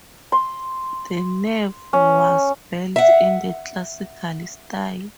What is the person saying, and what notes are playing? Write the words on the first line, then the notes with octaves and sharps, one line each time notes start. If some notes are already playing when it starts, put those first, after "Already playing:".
The nave was built in the classical style.
C6
C#4
E5 F#5